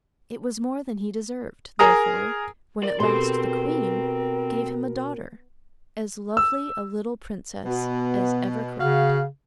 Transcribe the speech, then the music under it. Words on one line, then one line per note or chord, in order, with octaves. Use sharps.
It was more than he deserved, therefore, when, at last, the queen gave him a daughter--as lovely a little princess as ever cried.
G#4 A#4 A#5 D#6
A#4 D5
B2 C4 G4 A4 C6
E6
B2 B3
C#3 F#4 F5